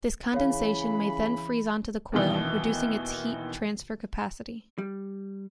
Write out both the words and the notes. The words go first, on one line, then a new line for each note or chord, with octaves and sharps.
This condensation may then freeze onto the coil, reducing its heat transfer capacity.
C#3 E3 C#5 F5 B5
D#2 B2 D#3 E3
G3